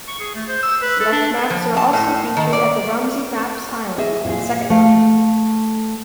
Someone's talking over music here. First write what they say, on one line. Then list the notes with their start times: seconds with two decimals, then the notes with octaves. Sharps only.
Select maps are also featured at the Rumsey Maps island in Second Life.
0.08 C#6
0.20 G#4
0.35 A3
0.49 C5
0.63 E6
0.82 B4
1.00 A4
1.12 D4
1.50 F3
1.77 A5
1.93 A2
2.37 D#3
2.53 D5
3.98 G#4 D#5 E5
4.25 A#2 G#4
4.70 A3 F5